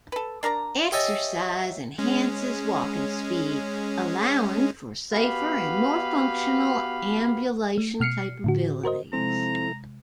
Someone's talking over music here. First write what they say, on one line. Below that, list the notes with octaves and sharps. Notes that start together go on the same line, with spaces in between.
Exercise enhances walking speed, allowing for safer and more functional ambulation capabilities.
A4 B4
D4 A#4 D5 A#5
G4 C#5 D#5 E5 G#5 A5
G#3 C#4
B3 F#4 G4 B4 F5 B5
A3
B2 F6 C7 C#7
A2 D3 F#4
F#4 A#4 C5 D#5
C3 F3 G#3 C4 E4 A4 A#5